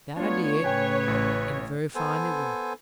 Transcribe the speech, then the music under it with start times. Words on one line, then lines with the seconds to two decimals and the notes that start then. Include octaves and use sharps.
'That I did; and very fine they were.
0.17 A3 B3 D4 F4 C#5
0.64 A2 C#3 B4 G5 G#5
1.08 A1
1.95 B3 A4 C5 G#5